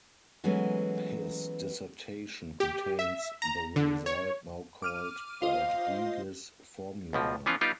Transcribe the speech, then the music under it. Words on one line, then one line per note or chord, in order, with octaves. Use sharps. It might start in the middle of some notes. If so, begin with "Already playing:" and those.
His dissertation contains the result now called Rodrigues' formula.
E3 F#3 G#3 A3 B3 C#4
G4
E5
A#5
D3
C#5
D6 F6 D#7
F4 C5 D#5 F5
C#2 B2 F3
E3 F3 B3 C#4 F4
G3 B3 D#4 F4 G4